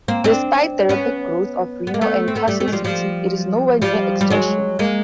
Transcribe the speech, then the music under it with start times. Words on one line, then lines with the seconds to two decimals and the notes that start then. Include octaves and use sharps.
Despite the rapid growth of Reno and Carson City, it is nowhere near exhaustion.
0.08 A#3 C4
0.24 C4 D4
0.89 B3 C#4
1.87 B3
1.94 A#3
2.01 A3 B3
2.28 C4
2.35 A3 B3
2.48 G3 A3
2.60 G3 A3
2.67 G#3
2.72 F3 G3
2.84 F3 G3
3.82 F3 G3
4.21 G3
4.30 F#3 G#3
4.79 G#3 A#3